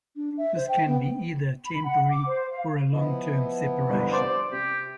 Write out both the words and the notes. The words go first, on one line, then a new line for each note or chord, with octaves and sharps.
This can be either a temporary or a long-term separation.
D4
E5
C5
G5
B3
B5
F#5
D6
C5
F5
F3 B3 E4 D#5
G1 C2
C5 D5 C6
C3 G4